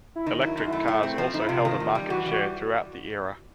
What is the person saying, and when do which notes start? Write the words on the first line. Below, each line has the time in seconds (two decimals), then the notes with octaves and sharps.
Electric cars also held a market share throughout the era.
0.16 E4
0.26 D#3 D#4
0.41 F#3
0.46 E4
0.57 F#2
0.67 E4
0.73 A3
0.88 A3
1.03 C4
1.18 F3
1.34 F3 D#4
1.42 E4
1.48 C3 F4
1.65 D#3
1.80 E2
1.95 G3
2.10 E3 F#4
2.26 G3 F#4